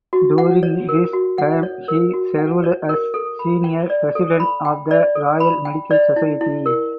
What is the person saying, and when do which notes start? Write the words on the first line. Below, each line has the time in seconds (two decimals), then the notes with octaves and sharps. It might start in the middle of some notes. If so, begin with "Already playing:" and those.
During this time he served as senior president of the Royal Medical Society.
0.13 F#4
0.38 F#5
0.63 C#5
0.89 A#4
1.13 F#4
1.38 F#5
1.63 C#5
1.88 A#4
2.13 F#4
2.38 F#5
2.64 C#5
2.89 A#4
3.14 A4
3.39 B5
3.64 G5
3.90 D5
4.15 A4
4.40 B5
4.65 G5
4.91 D5
5.15 A4
5.40 B5
5.65 G5
5.91 D5
6.16 E4
6.41 E4
6.66 A#4